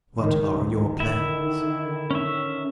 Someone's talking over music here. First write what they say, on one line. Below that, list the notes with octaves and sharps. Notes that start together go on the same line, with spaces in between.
What are your plans?
C#2 D#3
D3 D#3
E4 E5
C#4 E5